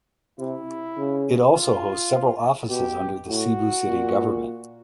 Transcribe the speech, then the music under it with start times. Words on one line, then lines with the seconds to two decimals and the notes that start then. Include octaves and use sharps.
It also hosts several offices under the Cebu City Government.
0.39 C3 E4
0.98 C#3
1.55 F4
2.69 B2 G4
3.27 A2 F#4
3.84 A#2